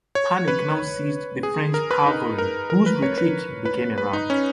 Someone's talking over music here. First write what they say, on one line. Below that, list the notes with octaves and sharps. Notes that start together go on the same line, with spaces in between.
Panic now seized the French cavalry, whose retreat became a rout.
C#5
B4
G#4
A#4
B4
D#4
A#4
A#4
B4
C#5
B4
B4
B4
D#4
C#4